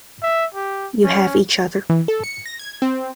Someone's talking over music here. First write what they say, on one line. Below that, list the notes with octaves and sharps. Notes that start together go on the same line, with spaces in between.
You have each other.
E5
G4
C#4
E3
A4
C#7
A#6
G#6
C4